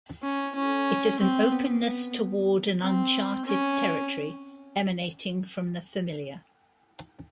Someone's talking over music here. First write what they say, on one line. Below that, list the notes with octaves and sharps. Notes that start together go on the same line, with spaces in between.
It is an openness toward an uncharted territory emanating from the familiar.
C#4
C#4
C4
B3
B3
C4
C#4